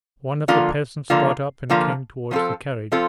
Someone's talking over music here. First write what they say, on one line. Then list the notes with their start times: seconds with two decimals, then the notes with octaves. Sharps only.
One of the peasants got up and came towards the carriage.
0.48 D3 F3 A#3 F4
1.10 D3 F3 A#3 F4
1.70 D3 F3 A#3 F4
2.31 F3 C4 F4 A4
2.92 F3 C4 F4 A4